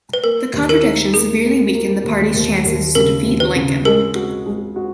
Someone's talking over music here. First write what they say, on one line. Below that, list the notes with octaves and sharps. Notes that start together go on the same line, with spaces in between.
The contradiction severely weakened the party's chances to defeat Lincoln.
B4
A#3 A#4
D#2
A#4
D#4
A#3 G#4
A#3
A#3
D#2
D#2
D#2
C#3 A#4
D#2
B4
C#3
G#3 A#4
F#4
G#3
F#4